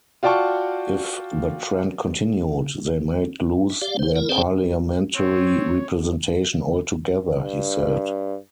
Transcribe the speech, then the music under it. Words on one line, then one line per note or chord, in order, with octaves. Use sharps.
If the trend continued, they might lose their parliamentary representation altogether, he said.
F4 F#4 D5 G5 A5 C#6
E5
G4 D5 F5
C5
E4 A#4
C4 G#4 C5 D5 G5
C4 C#5
G2